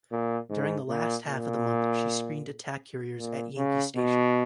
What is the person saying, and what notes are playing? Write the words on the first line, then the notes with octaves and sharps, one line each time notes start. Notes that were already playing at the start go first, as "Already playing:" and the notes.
During the last half of the month she screened attack carriers at Yankee Station.
A#2
G#2
A#2
A#2
A#2
C#3
B2